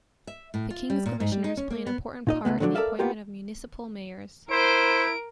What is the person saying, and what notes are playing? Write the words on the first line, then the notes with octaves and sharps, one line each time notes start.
The King's Commissioners play an important part in the appointment of municipal mayors.
E5
A2
F4
G3
A#2
G#2
G3
D#4
C#4
A#3
B3
A#2 D#4 D#5
C#2 B2 A3 B3
D3 F3 F#3 A3 D4
A4 A#4 D5 E5 F5
A#3 B3 F4 G4 A#4
E4 A#4 C5 D7